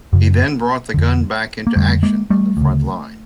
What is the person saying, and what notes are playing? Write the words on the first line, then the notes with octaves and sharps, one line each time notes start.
He then brought the gun back into action in the front line.
F#2 C#3
F2 D3
A#3
F2 D3 G3 A3
G#3 A#3
G3 A3
D2 C#3